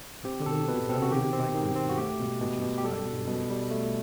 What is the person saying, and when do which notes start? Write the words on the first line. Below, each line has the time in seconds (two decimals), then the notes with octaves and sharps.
The film is animated by Grizzly and produced by Blue Lynx.
0.25 C4 G4
0.46 B2 A4
0.68 B2 B4
0.89 C4 A4
1.02 F#4
1.11 D#3 G4
1.33 C4
1.54 D#3
1.76 C4
1.89 F#4
1.97 A3 G4
2.20 B2
2.40 B2
2.62 B2
2.78 G4
2.84 G3 A4
3.06 B2
3.28 B2
3.50 G3
3.71 A3